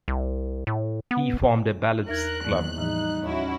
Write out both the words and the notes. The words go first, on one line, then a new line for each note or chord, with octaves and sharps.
He formed a Ballads Club.
C2
A2
B3
E2 D#4 A#4 F#6 G#6
E2 D#3 F#3 A#3 D5
A2 E3 F3 G3 D#4
D#2 C#4 E4 F#4